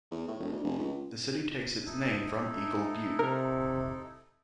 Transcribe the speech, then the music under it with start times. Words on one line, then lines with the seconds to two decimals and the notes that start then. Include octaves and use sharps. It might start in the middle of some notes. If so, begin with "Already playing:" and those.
The city takes its name from Eagle Butte.
0.11 E2
0.28 A2
0.40 E1
0.52 D2
0.64 F1
0.78 C#2
1.86 D#4 E4 A4
3.19 C3 A#4